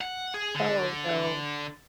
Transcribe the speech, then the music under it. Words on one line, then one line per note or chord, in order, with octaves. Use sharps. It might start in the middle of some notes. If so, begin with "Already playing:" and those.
Oh, no.
F#5
G#4
D3